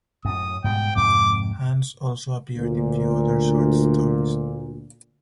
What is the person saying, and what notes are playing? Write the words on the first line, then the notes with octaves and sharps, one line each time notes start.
Hans also appeared in few other short stories.
F#2 A2 D#6
G#2 B2 G3 G5
F2 G#2 C3 D6
D2 A#2